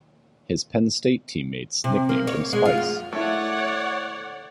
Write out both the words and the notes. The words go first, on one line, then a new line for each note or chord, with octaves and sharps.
His Penn State teammates nicknamed him Spice.
C3
A#3
C#5
G#3
F4
F#2
A3 E4 C#5 D5 F#5